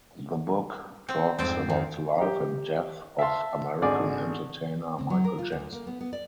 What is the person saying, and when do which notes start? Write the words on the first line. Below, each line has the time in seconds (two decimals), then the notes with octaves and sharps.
The book talks about the life and death of American entertainer Michael Jackson.
1.09 C4
1.39 F2 G#2 C4 C5 D5
1.70 D#3
2.18 G4 A#5
3.19 E5 F5 A5 C6
3.82 G#1 D3 G#4 D5 D6
4.98 C4
5.10 F#3
5.24 A#4
5.38 F4
5.52 D2
5.72 A#3
5.87 B3
6.01 B3
6.13 D5